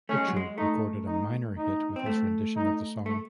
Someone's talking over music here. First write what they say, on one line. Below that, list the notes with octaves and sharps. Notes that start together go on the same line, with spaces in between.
Richard recorded a minor hit with his rendition of the song.
A3 C#4
G#3
F#3
G#3
A3 D#4
D#4
D#4
C4
A3
D#4
A3